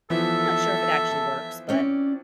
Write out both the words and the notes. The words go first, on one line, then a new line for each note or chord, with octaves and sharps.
not sure if it actually works, but
E3 F3 B3 A4 E5
A5
C4 C#4 D5